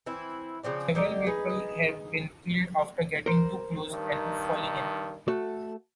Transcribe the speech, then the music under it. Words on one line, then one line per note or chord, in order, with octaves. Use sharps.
Several people have been killed after getting too close and falling in.
E3 C4 E4
C#3 F3 C4 D4
D3 D#4 G4 D5
D#4 G#4 B4
A#4 C5
G2 D#3
A3 F#4 A4